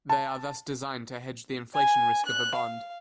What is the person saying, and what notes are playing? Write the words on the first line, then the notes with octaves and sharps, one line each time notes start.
They are thus designed to hedge the inflation risk of a bond.
A5
G#5
F#6
F5